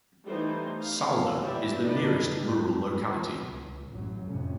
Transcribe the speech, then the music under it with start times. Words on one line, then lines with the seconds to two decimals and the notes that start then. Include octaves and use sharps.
Salda is the nearest rural locality.
0.25 E3 G3 A3 B3 D#4 C5
0.82 A3 F5
1.41 E3 G3 G4 D5 E5
1.83 D#4 E4 A4 B4 D5 D#5
3.46 C#2
3.89 A1 F#2 F#3
4.25 F2 A2 C3 C#4